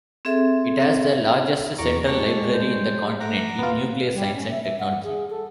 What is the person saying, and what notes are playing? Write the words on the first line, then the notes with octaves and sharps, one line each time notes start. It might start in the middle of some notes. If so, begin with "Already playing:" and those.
It has the largest central library in the continent in Nuclear science and technology.
C4 G#4 A4 E5
E2 A#5 C#6 D6
G#3 G4 D5 A5 C#6
C5
A3 F#5 A#5 D6
D#2 B3 F4
G3
C#4
E5
E5
F#5
G#4
A4